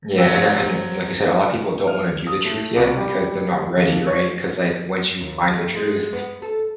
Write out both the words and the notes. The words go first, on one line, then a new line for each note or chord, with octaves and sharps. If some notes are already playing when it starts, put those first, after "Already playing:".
Yeah, and and like you said, a lot of people don't wanna view the truth yet because they're not ready, right? 'Cause, like, once you find the truth,
F3 F#3 C4
F6
D#6
A3
C2
G3
F2
C#5
D#2
A3
G#3
B3
A4